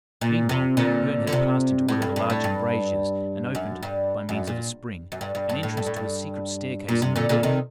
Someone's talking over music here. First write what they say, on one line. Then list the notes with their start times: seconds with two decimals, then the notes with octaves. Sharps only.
Meanwhile, Herne had passed into one of the large embrasures, and opened, by means of a spring, an entrance to a secret staircase in the wall.
0.21 A#2
0.49 C3
0.77 A#2 D3
1.27 D3
1.33 C3
1.89 A2
2.02 G2
2.16 G2
2.30 A2
2.44 G2
3.55 F#2
3.83 G2
4.29 F#2
4.47 A#2
5.12 F#2
5.21 G2
5.35 G2
5.49 G2
5.63 A2
5.77 G2
5.86 A2
5.96 G2
6.89 A#2
7.02 C3
7.16 A#2 D3
7.29 A#2 D3
7.43 C3 D#3